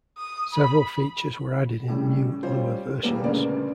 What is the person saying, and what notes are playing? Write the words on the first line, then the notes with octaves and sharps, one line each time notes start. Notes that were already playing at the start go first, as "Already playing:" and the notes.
Several features were added in new Lua versions.
D#6
B5
A2 C#3 G3
G3 C#4 F4 C5
E2 A#2 G3 A#3 B3
D2 C#3 B3 A#4 D5